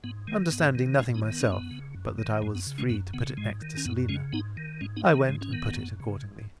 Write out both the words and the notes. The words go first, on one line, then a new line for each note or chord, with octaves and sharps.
Understanding nothing myself but that I was free to put it next to Selina, I went and put it accordingly.
G#2 B3
D#3 G#3
G#2 B3
D#3
G#2 G#3 C#4
B3 D#4
D#3
B3
C#4
F#2
B3
C#3
F#2
D#3
F#2 G#3
B3
C#3
G#3 C#4
F#2 B3
C#3 B3
G#2 G#3
D#3
C#4
F#2 B3
C#3 G#3 C#4
G#2 B3 D#4
D#3
G#2 G#3 C#4
B3 D#4
D#3
B3
G#2 G#3
C#4
D#3 B3
F#2
C#3
G#2